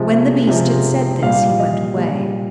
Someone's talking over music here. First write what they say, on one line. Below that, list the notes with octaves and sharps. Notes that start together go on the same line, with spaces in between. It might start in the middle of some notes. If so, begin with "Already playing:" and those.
When the beast had said this, he went away.
Already playing: C3 F3 G#3
C3 F3 G#3
A#2 G3 F5
D#5
A#2 G3